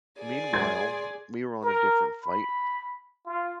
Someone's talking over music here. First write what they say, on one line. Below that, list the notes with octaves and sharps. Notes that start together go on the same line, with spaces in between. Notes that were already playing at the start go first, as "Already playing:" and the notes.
Meanwhile, we were on a different flight.
G#4 D5
C6 G#6
A#4
B5
F4